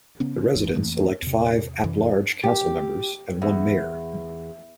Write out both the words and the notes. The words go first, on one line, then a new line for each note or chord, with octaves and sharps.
The residents elect five at-large council members and one mayor.
C#3 B3 C#4
F1 E2
F2 E3 A3 A#3
E2 C3
F#2 C3 E3
G4
E2